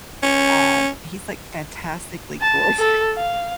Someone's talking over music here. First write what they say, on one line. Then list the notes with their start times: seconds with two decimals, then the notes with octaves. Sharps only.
Uh, he's, like, fantastically gorgeous,
0.23 C#4
2.41 A5
2.79 A4
3.17 F5